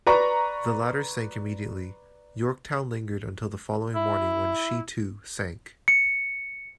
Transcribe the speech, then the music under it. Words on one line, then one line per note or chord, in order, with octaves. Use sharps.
The latter sank immediately; "Yorktown" lingered until the following morning when she, too, sank.
B4 D5 A#5 C#6
E4
C#7